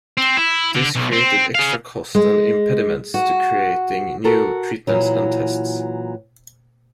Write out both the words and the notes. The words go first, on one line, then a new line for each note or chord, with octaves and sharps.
This created extra costs and impediments to creating new treatments and tests.
C4
E4
D3
B1
C4
G#4 F5
G#3
F#4
F#4 A4 A#4
A#2 E3 F#3